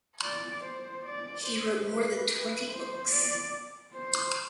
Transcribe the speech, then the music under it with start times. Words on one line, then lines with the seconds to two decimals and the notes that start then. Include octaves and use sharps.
He wrote more than twenty books.
0.24 D5
0.64 C5
1.06 D5
1.47 C5
1.88 B4
2.29 B4
2.70 C5
3.11 D5
3.93 C5